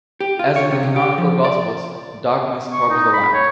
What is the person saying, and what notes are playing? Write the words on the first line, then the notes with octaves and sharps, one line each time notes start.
As in the canonical Gospels, darkness covers the land.
G4
F4
C#5
C3
C3
G4
F3
D5
C#6
D#4
B5
C#5